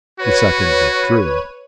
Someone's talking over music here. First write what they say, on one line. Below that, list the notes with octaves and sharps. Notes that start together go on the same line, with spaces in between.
The second withdrew.
F#4 B4 C#5 D#7